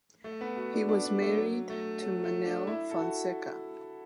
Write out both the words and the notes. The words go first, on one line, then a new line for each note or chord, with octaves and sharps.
He was married to Manel Fonseka.
A3
B3
F#4
D4
D4
D4
A3
F#3
A3
F#3
A3
D4
E4
A4
F#4